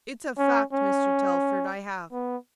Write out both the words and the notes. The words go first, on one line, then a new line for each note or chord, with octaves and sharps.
It's a fact, Mr. Telford--I have.
C#4
C#4
B3